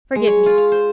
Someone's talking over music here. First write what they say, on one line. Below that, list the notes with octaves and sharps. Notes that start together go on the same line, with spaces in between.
Forgive me.
G#3
C#5
F4
F5
C5